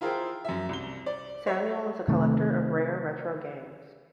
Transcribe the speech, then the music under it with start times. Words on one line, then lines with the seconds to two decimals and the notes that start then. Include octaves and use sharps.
Samuel is a collector of rare retro games.
0.01 E4 F4 G#4 A#4 C5 G5
0.45 F#2 E5
0.69 C2 G7
1.06 D5
1.47 C#5 E5
2.08 C3 D#3 A3